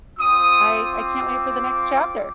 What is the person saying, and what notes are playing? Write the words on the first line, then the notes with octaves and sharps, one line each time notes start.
I I can't wait for the next chapter.
C4 F4 D#6
D6